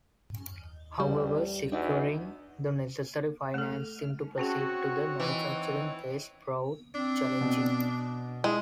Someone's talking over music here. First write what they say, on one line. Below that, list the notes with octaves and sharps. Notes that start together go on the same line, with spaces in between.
However securing the necessary financing to proceed to the manufacturing phase proved challenging.
A1 G3
E2 D4 D#4 F#4
A3 A4 F6
C4 C#4 F#4 G#4 C#5 F#5 A5
E3 D#4
C4 D4
B2
G#3 E4 G#4